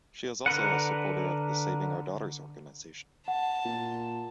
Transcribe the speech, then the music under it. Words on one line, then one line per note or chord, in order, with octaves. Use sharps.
She is also a supporter of the Saving our Daughters organization.
D3 A#4 B4 F#5
F#5 A5
A#2